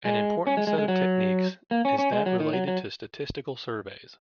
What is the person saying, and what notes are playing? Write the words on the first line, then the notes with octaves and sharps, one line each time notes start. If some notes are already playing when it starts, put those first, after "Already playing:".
An important set of techniques is that related to statistical surveys.
G#3
C#4
G#3
G#3
G#3
F#3
A#3
C#4
C#4
G#3
F#3
D#3
F#3
F#3